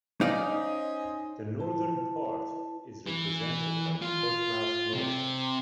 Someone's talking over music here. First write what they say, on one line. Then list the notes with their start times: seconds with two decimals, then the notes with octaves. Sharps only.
The northern part is represented by Portsmouth North.
0.21 C#4 D#4 C5 D5 D#5 F5
1.59 E4 B4 A5
3.06 E3
4.02 F4
4.94 C3